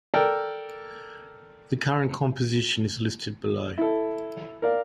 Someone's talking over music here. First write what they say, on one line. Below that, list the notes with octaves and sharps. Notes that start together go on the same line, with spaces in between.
The current composition is listed below.
A4 A#4 D5 G5
E4 A4
A#4 D5 F5